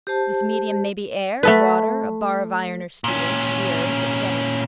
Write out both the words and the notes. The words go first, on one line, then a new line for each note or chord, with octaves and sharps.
This medium may be air, water, a bar of iron or steel, the earth, etc.
G4 C5 A5
A3 A4 B4
A#2 C#4